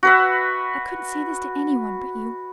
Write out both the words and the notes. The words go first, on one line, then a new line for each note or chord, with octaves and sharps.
I couldn't say this to any one but you.
F#4 B4 E5